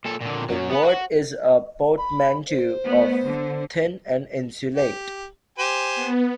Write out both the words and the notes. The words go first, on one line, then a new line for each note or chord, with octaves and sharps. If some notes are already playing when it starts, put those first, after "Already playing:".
The word is a portmanteau of thin and insulate.
A#2 A4
A#2 D3
F#2 F#3
B3 B4
F#4
B5
C5
A3 B3
D3
G4
G4 C5 G#5
B3